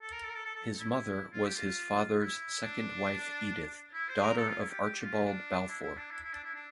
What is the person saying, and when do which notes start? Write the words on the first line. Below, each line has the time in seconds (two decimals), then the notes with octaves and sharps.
His mother was his father's second wife Edith, daughter of Archibald Balfour.
0.02 A4
0.12 A#4
0.24 A4
0.30 A#4
0.35 A4
0.45 A4
0.56 A4
0.78 E4
1.33 F4
1.44 G4
1.55 F4
2.19 E4
2.63 D4
3.94 E4
4.09 C5
4.23 A#4
4.37 A4
4.49 F4
4.60 E4
4.70 G4
4.81 G4
5.02 F4
5.25 D4
5.69 E4
5.83 E4
5.98 D4
6.11 E4
6.23 E4
6.34 D4
6.44 E4
6.55 D4